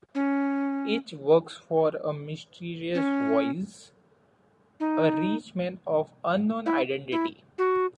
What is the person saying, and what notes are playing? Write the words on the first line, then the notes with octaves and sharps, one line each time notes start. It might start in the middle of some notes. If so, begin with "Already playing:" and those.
Each works for a mysterious "Voice", a rich man of unknown identity.
C#4
C#4
D#4
E4
E4
F#4